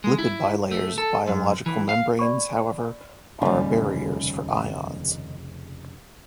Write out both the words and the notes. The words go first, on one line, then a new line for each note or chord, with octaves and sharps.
Lipid bilayers of biological membranes, however, are barriers for ions.
G#3
E4
A3
A4
F#2
E3
F5
D5 B5 C#6
F1 A#1 D#2 C#3 G3